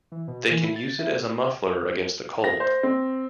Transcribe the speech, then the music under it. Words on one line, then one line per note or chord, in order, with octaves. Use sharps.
They can use it as a muffler against the cold.
E3
B2
E3
E4
A6
E4
A#6
C5
C4